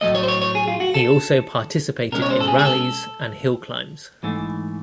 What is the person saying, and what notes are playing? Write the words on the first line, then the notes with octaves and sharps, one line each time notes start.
He also participated in rallies and hill-climbs.
A2 F#3 A3 D#5
C#5
C5
C#5
C#5
G#4
F4
F#4
A4
B2 G#3 C#4 A#4
C#5
C5
A4
G#4
G#4
A4
G#2 E3 A3